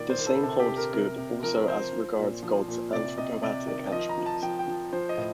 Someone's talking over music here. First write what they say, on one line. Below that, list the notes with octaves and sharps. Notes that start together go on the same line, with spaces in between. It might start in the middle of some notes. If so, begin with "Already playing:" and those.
The same holds good also as regards God's anthropopathic attributes.
Already playing: A#2 D#3 D5
C5
D#3
A4
C3 A4
G4
C3
A#4
C3 A#4
C3
F3 A#4
F3 C5
F3
A#2
F3
A#2
C3 D5
C3 D#5
C3 D5
D#3 D5
F3 D#5
A#5
F3
A5
F3 G5
G5
F3
F3 C5
D#5
A2